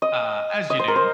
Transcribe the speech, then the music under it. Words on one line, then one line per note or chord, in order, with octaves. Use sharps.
uh, as you do,
D#5
D#5
C5
A#4
C5